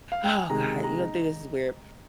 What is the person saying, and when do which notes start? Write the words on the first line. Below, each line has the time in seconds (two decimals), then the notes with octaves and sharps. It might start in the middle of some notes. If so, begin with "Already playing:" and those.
Oh god. You gonna think this is weird,
0.12 F5
0.24 G5
0.37 G#5
0.50 C3 D#3 G#3 A#5
0.84 A#5
1.01 D#4